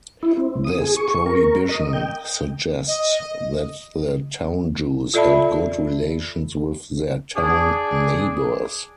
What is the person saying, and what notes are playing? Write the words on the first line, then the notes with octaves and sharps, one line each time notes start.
This prohibition suggests that the town Jews held good relations with their town neighbours.
E4
C4
D#6
G#4
C#6
A#4
D#5
G5
D#5
F4 A4 D5 E5 A5 B5
D4 G#4